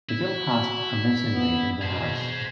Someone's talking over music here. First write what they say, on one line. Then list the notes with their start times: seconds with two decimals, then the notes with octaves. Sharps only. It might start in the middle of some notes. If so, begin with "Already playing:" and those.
The bill passed convincingly in the House.
0.09 E4
0.29 F#4
1.27 B3
1.81 B2 G#4 C5